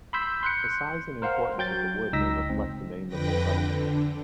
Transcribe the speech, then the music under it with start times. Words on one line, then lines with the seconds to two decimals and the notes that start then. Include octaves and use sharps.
The size and importance of the wood may reflect the name of the settlement.
0.13 B5 C6 E6 G6 B6
0.43 C6 F#6 G6 C#7
1.22 A#4 C5 F5 F#5
1.58 F#3 G5 G6 A6
2.13 C#2 D#4 E6 A#6 B6
2.49 C#2 C4
3.07 F2 D3 B4 G5 A#6
3.59 D3